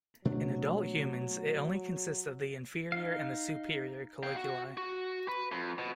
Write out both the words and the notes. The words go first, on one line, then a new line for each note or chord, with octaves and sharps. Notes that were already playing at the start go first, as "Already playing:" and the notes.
In adult humans, it only consists of the inferior and the superior colliculi.
B2 F#3 A3 D4
D#4 F5
F5 G5
F#4
F#4
B4
F2
B2